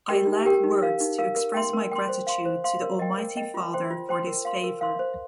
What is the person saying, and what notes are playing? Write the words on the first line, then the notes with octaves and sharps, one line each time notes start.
I lack words to express my gratitude to the Almighty Father for this favour.
G4 A#4 G5
D#4
G4 A#4 G5
D#4
A#4 F5
D#4
A#4 F5
A#4
G5 C6
A#4
G5 C6
C5
F5 C6
C5
F5 C6
A#4
D#5 G5
A#4
D#5 G5
F4
C5 G5 C6
F4
C5 G5 C6
A#4
F5 C6
A#4
F5 C6
C5